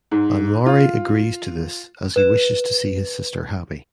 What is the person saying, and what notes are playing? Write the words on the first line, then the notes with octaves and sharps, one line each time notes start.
Banwari agrees to this as he wishes to see his sister happy.
G#2
F4
B4 E7